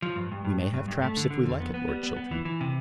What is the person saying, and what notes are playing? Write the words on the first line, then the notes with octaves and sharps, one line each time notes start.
"We may have traps if we like it, Lord Chiltern."
F3
G2
G2
G2
G2
G2
G2
A3
D3
D3
F2
B3
B3
G3
B3
B3
E3
E3
C3